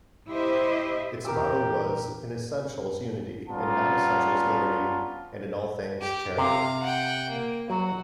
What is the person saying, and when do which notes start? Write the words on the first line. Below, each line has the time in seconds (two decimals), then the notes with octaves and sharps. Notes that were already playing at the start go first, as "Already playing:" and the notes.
Its motto was In essentials, unity; in non-essentials, liberty; and in all things, charity.
0.29 E4 G4 C5 D#5 E5
1.24 E2 A#2 G4 A#4 D6 E6
3.48 G3 B3 C#4 F4 A5 A#5
6.01 G4
6.38 C3 F5 A#5
6.83 F#5 G5
7.29 A#3
7.70 F#3 F#4